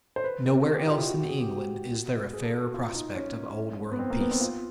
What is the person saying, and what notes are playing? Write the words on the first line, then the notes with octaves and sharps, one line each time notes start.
Nowhere else in England is there a fairer prospect of old-world peace.
C5
B4
A#4
G#4
G4
F4
E4
F#4
G4
G#4
G4
F#4
G#4
A4
F#4
F4
D#4
C#4
B3
C4
A#3
B3
C4
F4